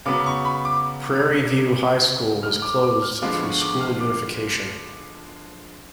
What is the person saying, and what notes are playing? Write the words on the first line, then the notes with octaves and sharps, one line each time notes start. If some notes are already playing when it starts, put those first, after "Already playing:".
Prairie View High School was closed through school unification.
C#3 F#3 B3 D6
C#6
B5
D6
F6
D6
D6
F6
D3 F3 G#3 B3 F4 D6
C#6
D6
F6
D6